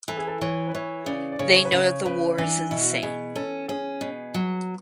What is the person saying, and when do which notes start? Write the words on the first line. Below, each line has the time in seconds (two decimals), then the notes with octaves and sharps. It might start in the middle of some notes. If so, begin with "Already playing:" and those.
They know that the war is insane.
0.08 E3 A4
0.17 G#4
0.27 A4
0.41 E3 C#5
0.68 B4
0.75 E3 C#5
1.06 C#3 D5
1.32 D5
1.39 C#3 C#5
1.56 C#5
1.65 B4
1.72 C#3 C#5
1.89 C#5
2.05 C#3 B4
2.38 E3 D4
2.70 B2 E4
2.81 F#4
2.91 E4
3.03 B2 G#4
3.36 C#4 A4
3.68 C#4 G#4
4.01 B2
4.34 F#3